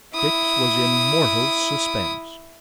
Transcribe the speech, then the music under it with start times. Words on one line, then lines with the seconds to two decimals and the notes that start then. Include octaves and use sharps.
Fix was in mortal suspense.
0.14 E4 D#6